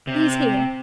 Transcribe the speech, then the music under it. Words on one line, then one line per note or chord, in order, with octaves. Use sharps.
He's here.
C3